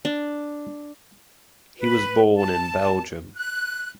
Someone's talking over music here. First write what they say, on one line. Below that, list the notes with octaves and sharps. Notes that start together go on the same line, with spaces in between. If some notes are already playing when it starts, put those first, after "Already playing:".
He was born in Belgium.
D4
B4
A5
F#6